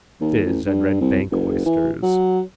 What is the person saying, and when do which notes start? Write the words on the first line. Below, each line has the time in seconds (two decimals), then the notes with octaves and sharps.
Fizz and Red bank oysters.
0.21 D#2
0.45 A1
0.67 G2
1.01 C2
1.31 F#1
1.66 E3
2.02 F#3